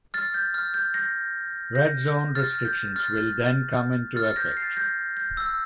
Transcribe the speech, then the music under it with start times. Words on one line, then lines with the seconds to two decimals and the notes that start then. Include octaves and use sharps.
Red zone restrictions will then come into effect.
0.14 F6 A6
0.34 G6
0.54 F6
0.74 G6
0.94 G6 A#6
1.75 G6 A#6
2.35 F6 A6
2.65 G6
2.96 F6 A6
4.16 F6 A6
4.36 G6 A#6
4.57 A6 C7
4.77 G6 A#6
5.17 G6
5.37 E6